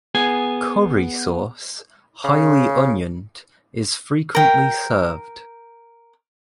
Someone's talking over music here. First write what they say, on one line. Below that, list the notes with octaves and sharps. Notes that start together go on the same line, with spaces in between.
Curry sauce, highly onioned, is frequently served.
B3 G#4 G#5
C#3
A#4 G5